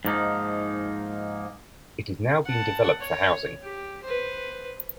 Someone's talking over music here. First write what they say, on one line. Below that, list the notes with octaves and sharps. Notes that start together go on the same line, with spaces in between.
It is now being developed for housing.
G#2 F3 A#3 D#4
F#5 A5
C#5
G4
B4 C5